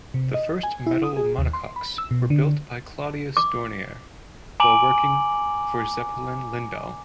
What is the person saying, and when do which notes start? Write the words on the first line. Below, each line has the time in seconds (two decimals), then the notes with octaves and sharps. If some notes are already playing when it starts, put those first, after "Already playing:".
The first metal monocoques were built by Claudius Dornier, while working for Zeppelin-Lindau.
0.14 C3
0.34 D#5
0.63 G#5
0.87 E4
1.03 D#6
1.17 G#4
1.38 D#2
1.53 C6
1.76 B5
1.98 E6
2.11 B2
2.30 D3
3.37 D6
4.60 G#5 A#5 D6 D7 F#7